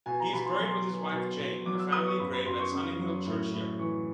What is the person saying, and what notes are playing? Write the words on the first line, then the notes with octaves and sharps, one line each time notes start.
He is buried with his wife Jane in a family grave at Sunninghill churchyard.
B2 G#5
A#5
B2 B5
C6
F#3 C6
B3
B2
B2
F#3 D6
E6
B3 D#6
C#6
F#2 B5
B5
F#2 C6
C#6
C#3
F#3
A2
A2
E3 C#6